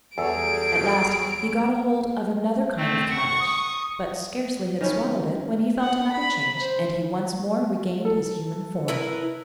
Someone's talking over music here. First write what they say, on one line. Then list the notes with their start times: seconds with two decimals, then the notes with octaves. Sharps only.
At last he got hold of another kind of cabbage, but scarcely had swallowed it when he felt another change, and he once more regained his human form.
0.18 E2 F#3 G3 G#4 A4 C#5 D7
2.76 A3 C4
3.10 F#5 C#6
3.39 D#6
4.81 D#3 C#4 E4
5.80 F#5
6.12 B5
6.59 C5
8.05 A4
8.88 E4 A#4 B4